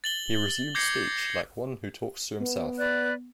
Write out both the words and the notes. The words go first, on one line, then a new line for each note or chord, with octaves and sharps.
He resumed speech like one who talks to himself.
A6 F#7 G7
D6 G6 G#6 A#6 C7 C#7
B3
B4 D5 F#6